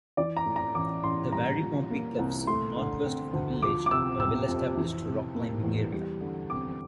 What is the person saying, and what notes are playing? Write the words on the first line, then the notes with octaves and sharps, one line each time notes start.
The Varympompi cliffs, northwest of the village, are a well-established rock climbing area.
E3 D5
A#5
A2
A#5
A1 D6
A1 C6
G3 A#5
A#2
A#3
C2
A3 C6
D3
C4
D2
F3 D6
D6
C3 E6
C4 E6
F2
E3
C3
A#3
E2
G3
D3
C4 D6